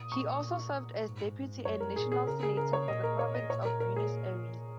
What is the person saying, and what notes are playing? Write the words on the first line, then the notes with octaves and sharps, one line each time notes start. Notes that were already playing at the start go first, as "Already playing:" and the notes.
He also served as deputy and national senator for the Province of Buenos Aires.
Already playing: A#2 D#6
C#6
G#2
F#2 C#5
A#4
A#2 G#4
G#4
C#3 A#4
G#4
A#4
C#5
A#2 D#5
A#4
C#5
D#5
A#2 C#5
A#4
A#4
G#4